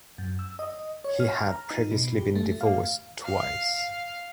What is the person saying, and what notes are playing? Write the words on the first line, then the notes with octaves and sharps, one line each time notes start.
He had previously been divorced twice.
F#2
E6
D#5
C#5
F6
A#5
D#4
B2
G4
A3
F5
F5